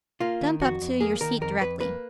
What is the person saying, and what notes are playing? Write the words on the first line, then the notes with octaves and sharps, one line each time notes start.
Jump up to your seat directly.'
A#3 F4
D#3
F2 F#4
F2
A#3 G#4
D#3 A#4
F2 A#4
F2 B4
A#3 B4